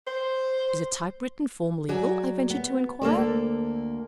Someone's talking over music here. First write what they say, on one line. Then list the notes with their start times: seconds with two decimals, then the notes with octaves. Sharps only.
'Is a typewritten form legal?' I ventured to inquire.
0.07 C5
1.89 F#3 G#4 D5
2.50 B3
3.02 D2 A#3 A4 D5